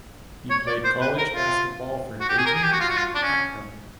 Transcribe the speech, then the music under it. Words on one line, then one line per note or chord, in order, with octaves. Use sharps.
He played college basketball for Dayton and Akron.
C#5
D5
C5
B4
A#4
F4
F#4
G4
G#4
A#4
G#4
G4
F#4
F4
F#4
F4
D4
C#4